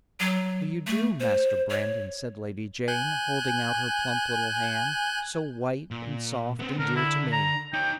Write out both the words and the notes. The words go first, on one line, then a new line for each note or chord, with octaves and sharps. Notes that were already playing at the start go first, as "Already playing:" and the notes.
"How do you do, Master Brandon?" said Lady Jane, holding out her plump little hand, so white and soft, and dear to me.
F#3
A3
C5
C#5
G#5 F#6 G6
A#2
B3 C4
D3 A#4
E4
A#5
D#4 C#5 G5